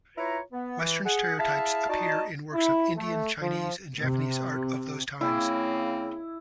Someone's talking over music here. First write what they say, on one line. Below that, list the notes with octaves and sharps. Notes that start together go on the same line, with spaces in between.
Western stereotypes appear in works of Indian, Chinese and Japanese art of those times.
E4 F4 B4 C#5 A#5
B3
E3
G#4 F#5
E4 G#4 E5 F5 A5
D#4 F#4 D5 D#5 A5
E4
A3
F3
C3
C#3 A#3 C4 E4